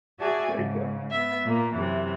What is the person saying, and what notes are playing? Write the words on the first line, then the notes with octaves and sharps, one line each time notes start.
there you go.
F#4 G#4 D5 E5 G#5 A5
G#2 C#3
B3 E5
A#2 A#3
F#2 C3 E3